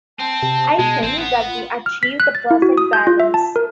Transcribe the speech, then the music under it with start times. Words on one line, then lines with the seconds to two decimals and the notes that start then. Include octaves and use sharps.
I think that we achieved the perfect balance.
0.19 C4 A5
0.43 C3
0.79 B2 G#3
1.03 A1 C4
1.19 B3
1.47 F4
1.86 F6
2.03 B6
2.20 F#6
2.35 A6
2.51 E4
2.62 F#4
2.78 D#6
2.93 G6
3.07 F4
3.20 E5
3.34 A5
3.56 A#4